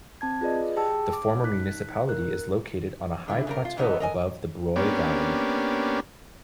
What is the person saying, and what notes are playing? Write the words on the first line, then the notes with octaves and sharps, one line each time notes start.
The former municipality is located on a high plateau above the Broye valley.
C4 A5 G#6
F4 G#4 B4 D5 D#5
G4 G#4 G5 A5 E6
D6
D#4 F#6 B6
A#4 F#6
D3 E4 F4
C#3 G3 A#4
F4
F2 G#2 E3 B3 D#4 A4
A#4 D#5 G#5
A#3 B3 C#4 D4 G4